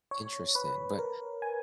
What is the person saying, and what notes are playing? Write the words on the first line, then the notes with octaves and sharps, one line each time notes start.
Interesting. But
C#5
B4
A#4
G#5